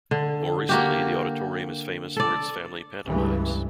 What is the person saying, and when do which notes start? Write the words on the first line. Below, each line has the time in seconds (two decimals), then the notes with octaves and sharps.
More recently the Auditorium is famous for its Family Pantomimes.
0.11 D3
0.69 A#3 F#4 G4
2.17 A4 D5
3.05 C#2 G2 E3 A3